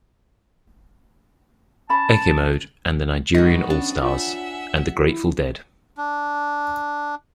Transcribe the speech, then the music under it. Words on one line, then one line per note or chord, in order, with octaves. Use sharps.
Ekemode and the Nigerian Allstars, and The Grateful Dead.
C#4 A5 B5
G#3 B3 D#4 F#4
C#4 D4
F4 C#5 E5 F#5 G#5
E4
D4